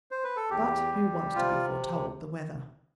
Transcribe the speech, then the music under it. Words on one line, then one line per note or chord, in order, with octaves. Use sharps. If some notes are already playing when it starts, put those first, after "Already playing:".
But who wants to be foretold the weather?
C5
B4
A4
E2 G4
G3
C3 F4